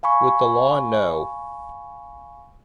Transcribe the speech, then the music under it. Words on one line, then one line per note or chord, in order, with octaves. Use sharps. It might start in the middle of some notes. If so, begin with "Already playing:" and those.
With the law no.
F5 G#5 B5 C#6